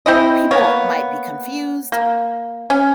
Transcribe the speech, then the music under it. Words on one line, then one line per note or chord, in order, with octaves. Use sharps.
people might be confused
C4 E4 D#5
A#3 B3 C#5
A#3
C#4